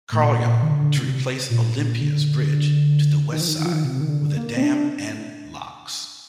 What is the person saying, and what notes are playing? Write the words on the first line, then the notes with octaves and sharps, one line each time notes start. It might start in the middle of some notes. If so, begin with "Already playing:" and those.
Carlyon to replace Olympia's bridge to the westside with a dam and locks.
A2
A#2
A#2
D#3
D3
C3
A#2
A#2
D3
D#3
F3
D#3
D#3
F3
D#3
C3
D#3
D3
A#3
C4
D4